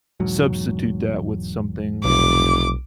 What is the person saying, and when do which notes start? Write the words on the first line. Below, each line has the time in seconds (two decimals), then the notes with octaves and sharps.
substitute that with something
0.20 E1 G#2 F#3
2.04 F1 B1 D6